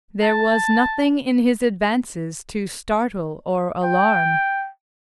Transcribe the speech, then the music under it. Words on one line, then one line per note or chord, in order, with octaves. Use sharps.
There was nothing in his advances to startle or alarm.
A5
G5